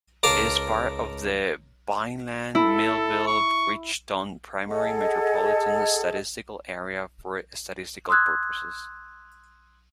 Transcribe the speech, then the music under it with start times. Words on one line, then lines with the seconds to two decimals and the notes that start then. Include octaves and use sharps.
It is part of the Vineland-Millville-Bridgeton Primary Metropolitan Statistical Area for statistical purposes.
0.23 C#2 A#4 F5 A5 D6
2.55 E4 A4
3.27 C#6
4.69 G#4 A4 D#5 F#5
8.09 C6 D#6 E6 F#6 G#6